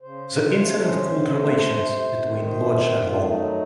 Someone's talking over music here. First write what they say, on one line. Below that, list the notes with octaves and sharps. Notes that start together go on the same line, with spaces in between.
The incident cooled relations between Lodge and Long.
C#3 C5
C#3
C5
A3
C#4 C5
C#3
A3
C3
C3
D#3
C3 C5
D#3 C5
A3 F4
F#3 D#4